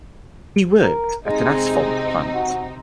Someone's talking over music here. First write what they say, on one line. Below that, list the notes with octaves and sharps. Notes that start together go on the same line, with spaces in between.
He worked at an asphalt plant.
A#4
C3 G#3 C4 D#4
F#4